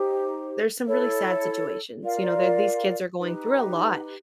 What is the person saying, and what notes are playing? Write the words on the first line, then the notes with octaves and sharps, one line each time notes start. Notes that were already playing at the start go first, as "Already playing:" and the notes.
there are some really sad situations, you know? Their these kids are going through a lot
Already playing: D#4 G4 C5
E4 A4 C#5
F4 A#4 D5 F5
D#4 G4 B4